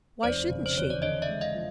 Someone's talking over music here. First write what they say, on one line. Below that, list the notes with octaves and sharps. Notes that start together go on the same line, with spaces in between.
"Why shouldn't she?"
F1 C5 D5
C#3
C5
E2 C#5
D5
D3 C#5 D#5
D5 E5
G#3
D#5 F5
F3